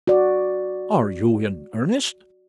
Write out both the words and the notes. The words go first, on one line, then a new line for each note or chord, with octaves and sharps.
"Are you in earnest?"
F#4 D5